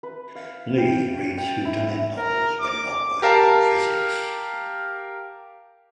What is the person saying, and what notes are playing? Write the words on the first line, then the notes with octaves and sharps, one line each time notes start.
Lee reads whodunit novels when not working on physics.
B4
F5
G5
G5
E4
A#4
D6
G4 A#4 F5 A5